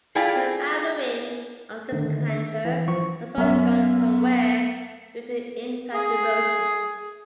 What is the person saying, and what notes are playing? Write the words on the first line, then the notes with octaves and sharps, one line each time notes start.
The outer rim of this crater has undergone some wear due to impact erosion.
A3 E4 F4 G#4 D5 G5
D3 D#3 A3
E5
E3
F3 C#6
F#2 B3 E5
G#4